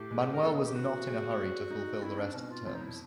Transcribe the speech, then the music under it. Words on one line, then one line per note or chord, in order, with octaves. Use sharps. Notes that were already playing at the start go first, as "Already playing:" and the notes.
Manuel was not in a hurry to fulfill the rest of the terms.
Already playing: A2 G4
G#3
A#4
B3 A4
G#4
G4
B3 F#4
G#3
G3
D#4
C4 E4
D4
B2 C#4
F4
F2 F4
D#4
E4